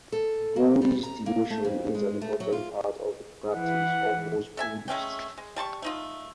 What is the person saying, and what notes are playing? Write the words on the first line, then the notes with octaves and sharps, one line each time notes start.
Buddhist Devotion is an important part of the practice of most Buddhists.
A4
A#3
G3
A#5
A#3
A3
F2
G#3
A3
F#3
F4
E3 F#5
A4 E5 G#5
G#3 A3 C#4 G5
G#3
G3 A5 C6 C#6
A3 D#4 F4